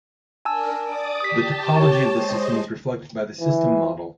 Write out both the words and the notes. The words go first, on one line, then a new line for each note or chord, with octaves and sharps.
The topology of the system is reflected by the "system model".
D4 A#4 G#5 A5 E6
D5 D6 D#6
G4 A5 D#6 B6
C#5 C#6
G#3 C5 D#5
E3